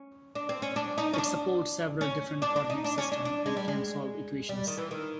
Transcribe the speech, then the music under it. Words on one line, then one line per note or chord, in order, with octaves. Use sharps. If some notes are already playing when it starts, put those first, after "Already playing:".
It supports several different coordinate systems, and can solve equations.
Already playing: C#4
D4
C4
C#4
D4
D#4
C#4
D4
C#4
D4
D4
D#4
D4
C#4
D4
D4
G#3
G3
G#3
G3
D#3
E3
D#3